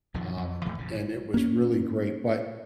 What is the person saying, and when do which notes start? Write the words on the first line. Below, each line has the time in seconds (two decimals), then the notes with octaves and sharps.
um, and it was really great, but,
0.14 A#1 F2 D#3 F3
0.37 F2
0.65 A2 E3 F3 A3
0.78 A#1 C#3
1.34 A#3 C#4